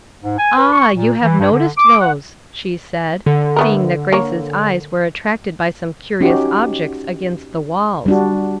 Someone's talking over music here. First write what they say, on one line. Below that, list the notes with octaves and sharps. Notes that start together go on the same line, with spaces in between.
"Ah! you have noticed those," she said, seeing that Grace's eyes were attracted by some curious objects against the walls.
G#2
G#5
B4
C#6
A#2
E3
G2
D3
D6
F#5
D3
A3 B3 A#4
A#3 C#5
C#4 D#4 F#4 G4
G3 D4 F#4